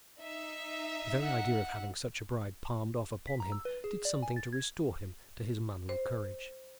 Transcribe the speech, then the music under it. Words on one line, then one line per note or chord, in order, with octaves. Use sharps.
The very idea of having such a bride palmed off upon him did something to restore him to his manly courage.
D#4 E5
F#5
B6
A#5
E6
B4
G#4
D5
G#5
A6
G#6
C5